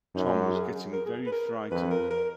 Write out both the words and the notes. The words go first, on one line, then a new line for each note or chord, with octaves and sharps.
Tom was getting very frightened!
F#2 D#4
F4
F#4
G#4
G#4
A#4
G#4
B4
A#4
F2 B4
A#4
A#4